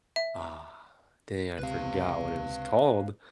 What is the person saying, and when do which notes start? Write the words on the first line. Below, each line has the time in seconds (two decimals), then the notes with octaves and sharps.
Ah, dang, I forgot what it was called,
0.16 E5
1.59 C#2 C3 B4 F5